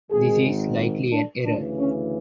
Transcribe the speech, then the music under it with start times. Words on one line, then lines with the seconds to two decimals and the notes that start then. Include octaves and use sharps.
This is likely an error.
0.11 G#1 G#2 D#3 G#4
1.11 D4
1.43 D2 C#3 E3 D4
1.77 C#4